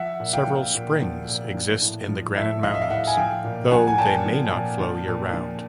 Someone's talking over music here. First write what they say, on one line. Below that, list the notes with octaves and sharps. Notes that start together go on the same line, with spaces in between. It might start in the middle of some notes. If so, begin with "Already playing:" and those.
Several springs exist in the Granite Mountains, though they may not flow year round.
Already playing: F3 E5 F#5
A#2
F5 G5
F3
A#2
F3
A#2
F3
A2
F3
A2 E5
F3 D#5 F5
E5
F5
A2 E5 F#5
G#5
F3 F5 G5
A#2
F3 F#5 G#5
G#5
A#2 G5 A5
F3
A#2
F3
A#2
F3